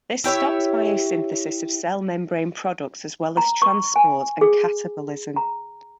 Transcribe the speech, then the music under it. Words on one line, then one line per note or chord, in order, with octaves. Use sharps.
This stops biosynthesis of cell membrane products as well as transport and catabolism.
E4 G4 C#5 E5
A#5
C#6
G#5
G#4
A#5